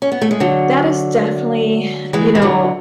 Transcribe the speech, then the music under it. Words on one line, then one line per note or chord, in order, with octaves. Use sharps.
that is definitely you know,
C#4
B3
A3
G#3
D3 F#3
E3 G#3
E3
D3 F#3